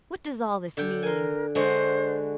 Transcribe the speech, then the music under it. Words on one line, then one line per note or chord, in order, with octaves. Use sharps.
"What does all this mean?"
D3 G5
A#4 G#5 C6
D3 G#3 F#4 C5